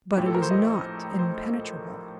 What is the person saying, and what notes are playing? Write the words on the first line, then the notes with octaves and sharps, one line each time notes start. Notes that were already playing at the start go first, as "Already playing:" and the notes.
But it is not impenetrable.
A#1 A2 F3 G4
A4
A#4
C5
D#5
C5